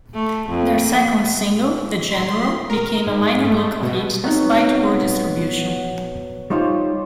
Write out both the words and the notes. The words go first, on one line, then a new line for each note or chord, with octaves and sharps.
Their second single, "The General," became a minor local hit, despite poor distribution.
A3
F2
A#3
C6
A#4
G#2
A3
B2
B2 F#3 B3 C4 D#4 F#5
G3 D#4 F4 G4 C5 C#5